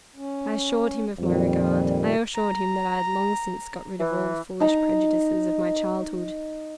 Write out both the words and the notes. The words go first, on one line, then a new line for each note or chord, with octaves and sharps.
I assured him of my regard: I assured him that I had long since got rid of all the foolish prejudices of my childhood.
C#4
F2 A#2 D#3 G3
A#5
E3
D#4 A#5